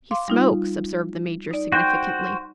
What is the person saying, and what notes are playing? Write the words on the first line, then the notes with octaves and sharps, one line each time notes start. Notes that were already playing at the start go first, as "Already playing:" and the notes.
"He smokes," observed the Major, significantly.
F5 C6 D6
G3 D#4 F4
D#4 D5
F#4 C5 G5 F#6